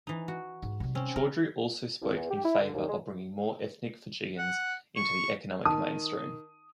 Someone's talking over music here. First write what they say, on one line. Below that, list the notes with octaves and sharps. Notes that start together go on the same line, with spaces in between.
Chaudhry also spoke in favour of bringing more ethnic Fijians into the economic mainstream.
E3 D#4
F#4
G#2
C3 G3
C4 C#4
D#3 A#4
C2
E2
G4
E4
D3
D#2
G#3
F#5
C#6
D#3 A5 D#6